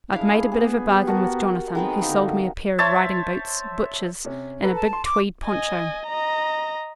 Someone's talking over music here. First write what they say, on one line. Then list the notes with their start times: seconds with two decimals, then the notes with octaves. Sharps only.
I'd made a bit of a bargain with Jonathan, who sold me a pair of riding boots, butcher's, and a big tweed poncho.
0.13 D4 E4 G#4 F5
0.52 B3 G#4
0.90 G4 G#4
1.07 F#4 A#4 A5
1.75 D#3 G#3 B3 C4
2.02 D3 A#3 D#4
2.78 C5 C#5 E5 A5
4.25 C3 C#4
4.62 A4 B4 A#5
4.75 A5
4.93 C6
5.05 D6
5.45 D#5 G#5
6.07 D#5 A#5